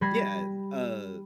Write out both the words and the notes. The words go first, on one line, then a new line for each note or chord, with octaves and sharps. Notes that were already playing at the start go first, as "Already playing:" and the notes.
Yeah. Uh,
G3 B5 G#6 A#6 C7